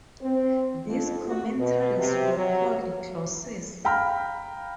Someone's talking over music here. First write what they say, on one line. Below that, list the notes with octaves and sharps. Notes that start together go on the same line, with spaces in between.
These commentaries were called glosses.
C4
F2
F#4
B2
C3
F#3
F5 G5 A#5 B5 F6